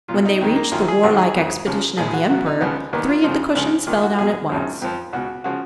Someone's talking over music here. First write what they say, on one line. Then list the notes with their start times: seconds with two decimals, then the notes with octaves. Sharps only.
When they reached the warlike expedition of the emperor three of the cushions fell down at once.
0.08 B1 F4
0.14 B2
0.25 D#4
0.41 F2 D#3 D#4
0.56 A#3
0.72 G#1 F#2 D#3 F4
0.88 G#4
1.04 G#1 G#2 D#3 F#4
1.14 F#4
1.19 G#4
1.35 F2 D#3
1.66 D#2 C#3 F3
1.97 A#1 A#2 F3 G#4
2.08 G#4
2.13 F#4
2.29 B1 B2 F#4
2.46 D#4
2.61 C#2 C#3 F3 B3
2.93 D#2 D#3 B3
3.08 F4
3.24 F2 C#3 F3
3.55 C#2 C#3 F3
3.87 D#2 D#3 F4
4.03 F#4
4.19 B1 B2 G#4
4.49 G#1 F#2 C#3 F3
4.82 F2 F3
5.13 C#2 B2 F#4
5.44 C#3 F3 F#4